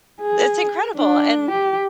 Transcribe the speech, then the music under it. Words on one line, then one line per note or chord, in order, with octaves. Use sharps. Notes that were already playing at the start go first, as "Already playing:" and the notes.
it's incredible, and
G#4
D4
G4